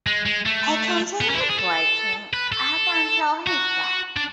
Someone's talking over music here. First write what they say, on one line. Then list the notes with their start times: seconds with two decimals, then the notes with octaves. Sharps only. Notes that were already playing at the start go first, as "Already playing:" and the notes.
He continued working up until his death.
0.07 G#3
0.26 G#3
0.46 A3
1.21 B3
1.30 C#4
1.34 E4
1.40 D4
1.49 G#4
1.59 A4
2.33 B4
2.52 A4
3.47 F#4
4.17 D4